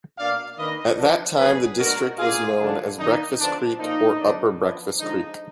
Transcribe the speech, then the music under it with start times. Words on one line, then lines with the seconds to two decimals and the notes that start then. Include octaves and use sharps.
At that time the district was known as Breakfast Creek or Upper Breakfast Creek.
0.18 B2 A#3 D4 D5 F5
0.58 D#3 A#3 D4 B4 D#5
0.98 F3 B3 D4
1.38 D3 F#3 B3 D4 G#4 B4
1.78 A#2 G#3 B3 D4 F#4 A#4
2.19 B2 A#3 D4 F4 G#4
2.59 D3 F#3 D4
2.99 D#3 A#3 D4 D#4
3.39 D3 F3 B3 D4
3.79 A#2 F3 A#3 D4 D#4
4.20 D3 F#3 B3 D4
4.60 F3 B3 D4
5.00 D3 F3 G#3 D4 D#4